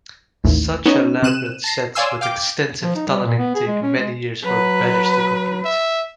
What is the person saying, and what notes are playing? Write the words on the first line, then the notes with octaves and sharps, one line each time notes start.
Such elaborate setts with extensive tunneling take many years for badgers to complete.
A1 D#2 A2
B3 C#4 D#4 C#5
C3 C4 F#6 D#7 E7
A5 A#6 C7
C#5 D5 F5 G#5 C6 E6
F5 G5 D6
F3
D#4
G3
A#2
B3
G#4
G#3
C#4
G#3
F#3 B4
E5